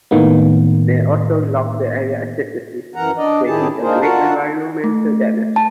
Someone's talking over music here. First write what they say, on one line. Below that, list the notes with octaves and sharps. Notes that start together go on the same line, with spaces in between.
They also logged the area extensively, creating great environmental damage.
A2 D#3 A#3 B3
F#2 E3 A#4 F#5 A#5
D4 D5 D#5
A2 D#3 E4 G4 G#4 A5
A#3 D4 D#4 G#4 A#4 C5
D4 F4 F#4 A#4 F#5 A5
A3
A5